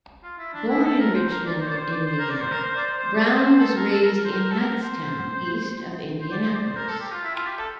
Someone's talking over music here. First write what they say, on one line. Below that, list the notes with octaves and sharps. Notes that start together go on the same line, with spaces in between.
Born in Richmond, Indiana, Brown was raised in Knightstown, east of Indianapolis.
F4
E4
D4
E4
A4
A#4
C5
A#4
D5
C5
D5
C5
D5
C5
A#4
D5
C5
A#4
C5
D5
C5
C5
D5
A#4
C5
C5
A4
A#4
A4
A#4
A#4
C5
A#4
A4
A#4
C5
C5
D5
C5
D5
C5
A#4
A4
G4
F4
E4
F4
G4
A4